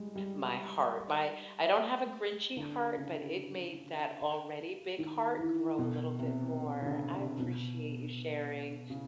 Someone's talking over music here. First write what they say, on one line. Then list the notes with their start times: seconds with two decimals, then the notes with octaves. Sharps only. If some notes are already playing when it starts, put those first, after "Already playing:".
my heart. My I don't have a grinchy heart, but it made that already big heart grow a little bit more. I appreciate you sharing,
Already playing: G3 G#3
0.16 G3
2.57 D3
2.97 C#3
4.99 D#3
5.39 E3
5.79 B2
6.19 C3
6.82 D3
6.86 C#3
7.13 C3
7.40 B2
8.90 C#3